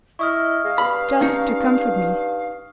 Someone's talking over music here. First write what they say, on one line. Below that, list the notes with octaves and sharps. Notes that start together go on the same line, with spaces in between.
Just to comfort me.
E4 D#5 C#6 D#6 F6
G#3 F5
G2 B5
C#4 D#4